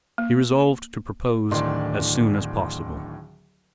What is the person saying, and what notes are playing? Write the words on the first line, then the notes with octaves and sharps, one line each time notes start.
He resolved to propose as soon as possible.
A#3
D1 A2 D#3 D4 C6